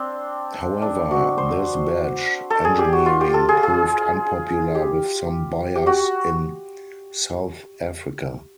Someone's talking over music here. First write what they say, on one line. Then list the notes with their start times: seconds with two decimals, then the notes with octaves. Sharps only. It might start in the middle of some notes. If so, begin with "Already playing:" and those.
However, this badge engineering proved unpopular with some buyers in South Africa.
Already playing: C4 D4
0.82 D4
1.11 F#4
1.38 C5
2.50 A4
2.65 G#4
2.79 G4
2.93 F#4
3.06 F4
3.21 G4
3.34 A4
3.49 G#4
3.63 G#4
4.75 G4
5.75 G4
5.87 F#4